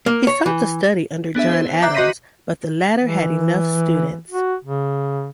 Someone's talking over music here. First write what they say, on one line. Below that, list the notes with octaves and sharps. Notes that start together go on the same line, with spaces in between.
He sought to study under John Adams, but the latter had enough students.
A#3
C#5
E3
B3 D4 G#4 E5
C5
E5 A#5 D6 F#6 G6 C7
F#4 D#5 C6 A#6 B6 D#7
E3
F#4
C#3